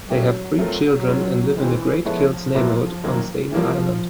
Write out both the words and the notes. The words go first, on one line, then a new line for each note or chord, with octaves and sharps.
They have three children and live in the Great Kills neighborhood on Staten Island.
F#3 A3 C#4 E4 G4
F#3 A3 C4 F4 A#4
G#3 C#4 F4
D#3 E3 G#3 C4
F3 G#3 B3 E4 A4 C#5
A#2 F#3 B3 E4
F#2 D#3 F#3 A#3
E3 F3 G3 A#3